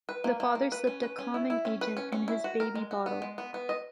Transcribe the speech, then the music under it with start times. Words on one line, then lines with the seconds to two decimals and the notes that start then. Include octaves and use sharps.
The father slipped a calming agent in his baby bottle.
0.09 B4
0.24 A#3
0.40 A#3
0.55 A#3
0.72 B4
0.87 C#4
1.03 B4
1.19 C#4
1.34 E4
1.50 E4
1.65 C#4
1.81 B4
1.97 C#4
2.12 C#4
2.28 E4
2.44 F#4
2.60 A#4
2.75 G#3
2.91 F#4
3.06 B3
3.22 G#3
3.38 B3
3.54 B3
3.69 D#5